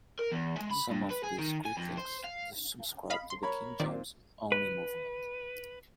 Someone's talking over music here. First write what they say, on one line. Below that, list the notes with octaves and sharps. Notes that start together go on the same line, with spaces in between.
Some of these critics subscribe to the King James Only movement.
A#4
E2
G#3
B5
G2
B4
G#4
D#3
G#5
F2
C5
F5
D#5 F5 B5
C6
A#4 C#5 B5
A#2 D#3 C4 D5
B4